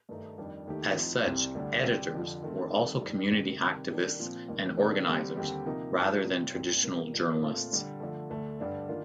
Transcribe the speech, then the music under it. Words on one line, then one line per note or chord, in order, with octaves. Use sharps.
As such, "editors" were also community activists and organizers rather than traditional journalists.
G2 D#3 A3 D#4
F2 D#3 G3 D4 G4
D#2 D#3 A3 D#4 G4
A2 F3 C4 D#4
C2 C3 G3 C4 G4
D2 D3 G3 D4 G4
C3 G3 C4 G4
F2 D3 F3
D#3 A3 C4
D#3 G3 C4 D#4 A4
F2 D#3 G3
D2 C3 D#3
C3 D#3 G3
D#3 G3 A#3 D4
A#2 F3 C4
D#2 D#3 G3
C3 D#3 A#3 D4 A4
D3 G3 C4 G4
D#2 D3 G3 C4 G4
C3 F3 A#3 D#4
G2 F3 A3 D#4 G4
C3 G3 C4 F4
C2 A#2 G3 C4 G4
C3 G3 A#3
F2 D3 F3 A#3
A#2 A3 C4 F4 A4
D3 G3 D4
D3 F3 A3
D2 D3 A3
G2 D3 G3 D4 A4
D#3 A#3 D4 F4